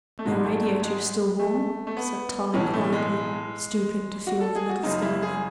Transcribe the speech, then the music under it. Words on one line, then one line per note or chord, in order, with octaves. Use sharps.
"Your radiator is still warm," said Tarling quietly, stooping to feel the little stove.
A3
G#1 G#2 F#3 G#3
A3
A3
G#3
A3
A3
B3
B1 A2 E3 C#4
A3
G#3
F#4
A4
G#4
F#4
F#1 F#2 C#3 D#4
E4
G#4